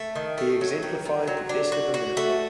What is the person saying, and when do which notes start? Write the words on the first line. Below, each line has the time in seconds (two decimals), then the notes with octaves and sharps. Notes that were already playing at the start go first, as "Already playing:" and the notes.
He exemplified the best of America.
Already playing: A3
0.15 D#3
0.38 A3
0.61 F#3
0.83 D#3
1.05 D#3
1.28 F#3
1.49 D4
1.72 F#4
1.94 F#4
2.17 A3